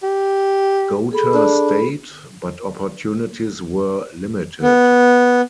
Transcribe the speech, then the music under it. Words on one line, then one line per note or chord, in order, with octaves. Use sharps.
Goater stayed, but opportunities were limited.
G4
G#4 A4 B5
D4
B3